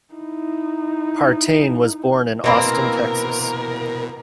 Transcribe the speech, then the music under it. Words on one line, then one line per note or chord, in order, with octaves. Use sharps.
Partain was born in Austin, Texas.
D#4 E4
B2 E3 A#3 C4 A#4 D#5 B5